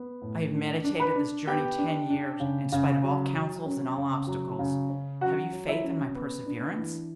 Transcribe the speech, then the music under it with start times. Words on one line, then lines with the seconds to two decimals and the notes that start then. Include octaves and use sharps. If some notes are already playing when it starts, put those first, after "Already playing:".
I have meditated this journey ten years, in spite of all counsels and all obstacles--have you faith in my perseverance?
Already playing: B3
0.22 A2
0.54 D4
0.84 D4
1.00 B4 B5
1.15 D4
1.47 B3 G4 G5
1.78 D4
2.10 D4
2.40 C#3
2.72 C#3
3.03 F#3
3.34 F#3
3.65 C#4
3.96 C#3
4.27 F#3
4.59 C#3
4.90 C#4
5.21 F#3 F#4 F#5
5.52 F#3
5.68 E4 E5
5.84 C#4
6.15 B3
6.46 D4
6.78 E3